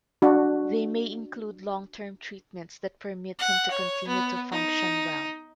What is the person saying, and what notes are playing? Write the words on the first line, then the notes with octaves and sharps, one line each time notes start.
They may include long term treatments that permit him to continue to function well.
D4 F#4
F#5
C#5
B3
D#4